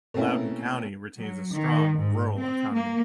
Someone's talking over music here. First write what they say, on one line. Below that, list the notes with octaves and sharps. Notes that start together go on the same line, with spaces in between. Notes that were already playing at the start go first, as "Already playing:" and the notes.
Loudoun County retains a strong rural economy.
B2 A3 A#3 C4 C#4 E4
F#3
D#3
G#2
C4
A#3